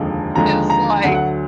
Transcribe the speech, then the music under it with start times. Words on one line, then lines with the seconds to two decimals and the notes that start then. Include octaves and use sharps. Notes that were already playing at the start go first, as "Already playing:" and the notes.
it's like
Already playing: F1 D#2 D3 F3 G#3
0.35 D#2 D3 F3 G#3 A#5
0.70 A#5
1.04 D2 D3 F#3 F#5
1.14 F#5